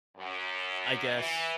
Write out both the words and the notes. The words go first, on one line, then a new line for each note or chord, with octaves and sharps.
I guess,
F#2
E3